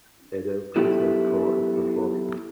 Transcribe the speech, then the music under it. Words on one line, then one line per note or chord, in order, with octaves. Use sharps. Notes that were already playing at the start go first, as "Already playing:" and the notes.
Eden 's Christmas Choir is performing.
F#3 B3 E4 G4 A4